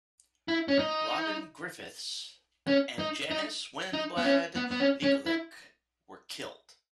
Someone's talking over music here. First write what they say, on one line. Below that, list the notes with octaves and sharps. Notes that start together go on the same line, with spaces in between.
Robyn Griffiths and Janice Winblad Nicolich were killed.
E4
C#4
D#4
C#4
D#4
D#4
D#4
B3
C#4
B3
B3
C#4
C#4
E4